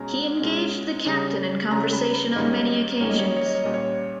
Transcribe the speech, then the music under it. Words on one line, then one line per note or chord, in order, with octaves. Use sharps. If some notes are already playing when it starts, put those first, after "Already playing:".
He engaged the captain in conversation on many occasions.
Already playing: B2 G#3 C#4 A#5
B2 G#3 C#4
C#3 G3 C#4
C#3 G3 C#4 A#5
B5
B5
G#2 D#3 G3 A#3 C#4 D#5
D#5
G#2 D#3 G3 A#3 C#4 C#5
D#5
C#5
D#5
C#5
D#5
C#5
A#2 G3 C#4 D#5
C#5